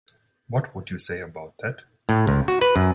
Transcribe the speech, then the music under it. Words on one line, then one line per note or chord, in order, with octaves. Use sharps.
What would you say about that?
A2
C#2
F#4
B4
F#2